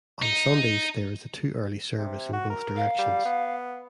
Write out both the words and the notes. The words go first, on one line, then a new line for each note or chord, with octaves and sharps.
On Sundays there is a two-hourly service in both directions.
D#4
C3
F#4
A#4
F5
G3
B3